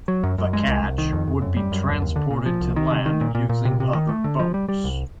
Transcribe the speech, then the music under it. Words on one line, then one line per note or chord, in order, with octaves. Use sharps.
The catch would be transported to land using other boats.
F#3
F#2
F#2
G#3
C2
C2
D#3
F2
F2
F#2
G3
F#2
D#2
D#2
D3
A#2
F3
C2
D#3
C3
D#3
A#2
A#2
A#2
C3
C3
D#3
A3
D3
F3
G3
G3
C2